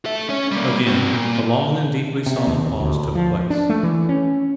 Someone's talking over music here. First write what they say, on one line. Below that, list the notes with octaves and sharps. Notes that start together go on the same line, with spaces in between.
Again, a long and deeply solemn pause took place.
A4 E5
C#4 C#5
G3 A#3
C4 F#4
A#2
C3
D#2
D2
F3
D4
A3
E3
C#4